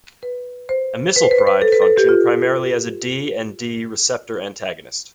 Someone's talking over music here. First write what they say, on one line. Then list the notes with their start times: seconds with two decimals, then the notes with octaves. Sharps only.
Amisulpride function primarily as a D and D receptor antagonist.
0.23 B4
0.69 C5
1.16 B4
1.23 C5
1.31 B4
1.39 C5
1.47 B4
1.62 A4
1.72 B4
1.82 A4
1.97 G4
2.09 F4